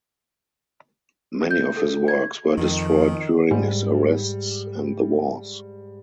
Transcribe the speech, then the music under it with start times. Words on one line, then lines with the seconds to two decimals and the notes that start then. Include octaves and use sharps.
Many of his works were destroyed during his arrests and the wars.
1.51 G6
1.77 A4
2.08 G#6
2.57 F2 D#3
3.51 G#2 G3